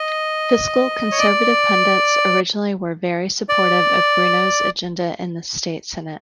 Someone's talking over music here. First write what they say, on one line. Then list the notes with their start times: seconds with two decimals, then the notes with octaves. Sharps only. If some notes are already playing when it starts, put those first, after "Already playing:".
Fiscal conservative pundits originally were very supportive of Bruno's agenda in the State Senate.
Already playing: D#5
1.11 C#5
1.19 D5
3.49 D5